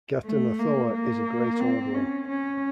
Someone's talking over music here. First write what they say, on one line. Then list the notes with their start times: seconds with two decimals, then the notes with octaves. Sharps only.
Ghatanothoa is a Great Old One.
0.25 A3
0.58 A#3
0.93 A#3
1.60 C4
1.94 C#4
2.28 C#4